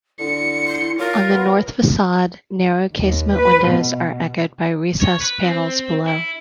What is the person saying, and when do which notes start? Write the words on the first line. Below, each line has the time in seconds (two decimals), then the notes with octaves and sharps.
On the north facade, narrow casement windows are echoed by recessed panels below.
0.19 D3 E4 C#7
0.67 C6
0.98 F4 A#4 C#5
1.30 B3
2.96 D#2
3.34 B4
3.66 B2
5.02 C#5
5.21 B4
5.42 C4
6.08 E4